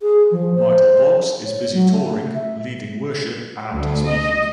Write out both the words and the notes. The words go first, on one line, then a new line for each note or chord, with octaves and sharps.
Michael Boggs is busy touring, leading worship, and speaking.
G#4
F3
C5
C#5
F#3
A3
E5
D2
D#5